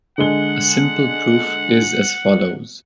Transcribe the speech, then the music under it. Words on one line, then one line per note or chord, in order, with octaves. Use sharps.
A simple proof is as follows.
D3 G#3 F#5 G7